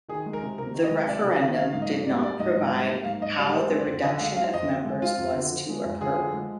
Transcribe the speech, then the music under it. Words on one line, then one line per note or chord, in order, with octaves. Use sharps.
The referendum did not provide how the reduction of members was to occur.
D#3 G#4
G#3
A#4
C3
C3 A#4
D#3
D#5
G#3
C3 D5
C3
D#3
A#3 F5
G#2 F5
D#5
G#2
G3 D5
A#3 D5
G#2 D#5
G#2
G3
A#3
G#2 F5
G#2 D#5
G3 D5
G#3 C5
C4
D5
F2
D3 D#5
G#3 F5
C4 F5
F2 D#5
D3
G#3
C4 F4
F2
D3
F3
G#3
F2
D3 G#4
F3
G#3